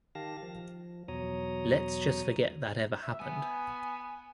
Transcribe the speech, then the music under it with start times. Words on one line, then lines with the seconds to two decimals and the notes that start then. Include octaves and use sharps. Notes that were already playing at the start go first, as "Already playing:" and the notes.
Let's just forget that ever happened.
0.15 D#3 G4 F5 A5 A#6
0.43 F3
1.08 E2 B2 F#3 C#5 A#5 D#6
3.02 E5
3.20 B3 G#5